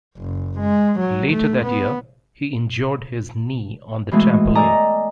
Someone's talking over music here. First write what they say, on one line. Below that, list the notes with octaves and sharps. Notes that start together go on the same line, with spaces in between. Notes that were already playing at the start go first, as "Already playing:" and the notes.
Later that year, he injured his knee on the trampoline.
F#1
G#3
F#3
A3
B3
B2 E3 G#3 A3
A4 D5 D#5 G#5 A#5